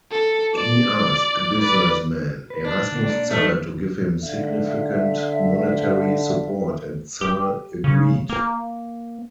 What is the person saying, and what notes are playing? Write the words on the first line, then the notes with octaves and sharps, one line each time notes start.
He asked businessman Erasmus Zahl to give him significant monetary support, and Zahl agreed.
A4
D5
B4 D5
B4
D4
D3 A#3
A#3 D5
E2 G#2 A3 D#4
D3 E5 F5
G4
C#3
A#3